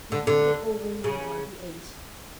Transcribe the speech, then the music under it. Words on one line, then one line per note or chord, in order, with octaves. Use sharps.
He brooded over him while he ate.
D3
D3
C#3